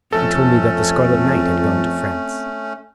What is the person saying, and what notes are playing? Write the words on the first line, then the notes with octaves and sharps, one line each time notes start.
"He told me that the Scarlet Knight had gone to France."
F2 A3 C4 C#4 A4